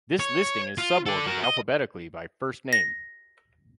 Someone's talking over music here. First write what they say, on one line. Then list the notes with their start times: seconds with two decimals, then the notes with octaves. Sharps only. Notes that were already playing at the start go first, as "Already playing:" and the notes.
This listing is subordered alphabetically by first name.
0.19 C#5
0.78 F4
1.06 A4 D5
1.26 F#4 A#4
1.44 D#5
2.73 A#6